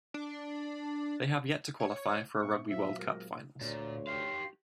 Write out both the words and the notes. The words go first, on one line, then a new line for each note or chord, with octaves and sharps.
They have yet to qualify for a Rugby World Cup finals.
D4
C#5
A#2 B3 E5 C#6
F#3 F4 C5 E5
G#3 G4 A#4
D2 A#2 C#5
G4 F5 C6